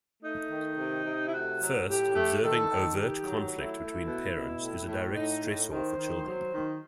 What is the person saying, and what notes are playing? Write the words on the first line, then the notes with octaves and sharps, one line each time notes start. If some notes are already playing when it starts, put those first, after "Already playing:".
First, observing overt conflict between parents is a direct stressor for children.
A3 D#4
D#3
C3
C3
E4
A3 F#4
F#3
A2 G4
A3
D#3 A4
D#3
D#3 G4
F#3
A3 E4
A3
B2
B2
A2
A2
A2 D#4
A2
D#3 C5
D#3
F#3
D#3